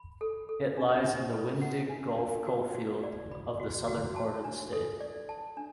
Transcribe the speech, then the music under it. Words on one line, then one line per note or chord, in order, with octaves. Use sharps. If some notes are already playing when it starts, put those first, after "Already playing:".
It lies in the Winding Gulf Coalfield of the southern part of the state.
Already playing: B5
A4
A4
D4
D4
A4
F#5
D4
D4
F#4
F#4
D5
B5
F#4
F#4
A5
D4
A4
D5
A5
D4